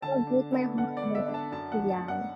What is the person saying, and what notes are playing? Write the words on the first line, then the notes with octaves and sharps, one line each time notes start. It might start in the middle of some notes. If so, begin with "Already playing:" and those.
that would break my heart, yeah, um,
D3 A5
D4
B3
D3 F#5
D5
D3
E5
D4
A5
F#2 A5
F#5
D4
A5
F#3
F#5